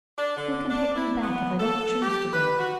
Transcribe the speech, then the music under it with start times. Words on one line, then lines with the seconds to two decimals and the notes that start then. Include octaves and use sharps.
Who can take me back, if I don't choose to go?
0.18 D4
0.37 D3
0.70 D4
0.96 E4
1.22 B3
1.59 A4
2.02 G4
2.33 B4
2.59 F#4